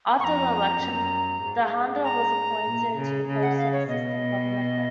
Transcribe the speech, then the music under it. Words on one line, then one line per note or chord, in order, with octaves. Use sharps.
After the election, Dhanda was appointed to the post of Assistant Government Whip.
F2 A#5 C#6
F#2
G#2
A#5
A#2
C#3
C#3
F#5
F5
C#5
B2 D#5